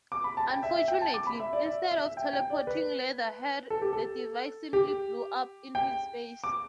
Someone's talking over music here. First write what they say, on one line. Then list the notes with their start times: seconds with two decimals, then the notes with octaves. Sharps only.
Unfortunately, instead of teleporting Leatherhead, the device simply blew up in his face.
0.12 D6
0.24 B5
0.37 A5
0.50 G5
0.63 E5
0.76 E5
0.88 G5
1.01 A5
1.14 D6
1.27 B5
1.40 E5
1.53 D5
1.66 E5
1.91 E5
2.06 E5
2.17 G5
2.33 G5
2.50 D5
2.67 B4
3.70 A4
3.82 G4
3.93 A4
4.73 G4
5.75 G5
6.44 D6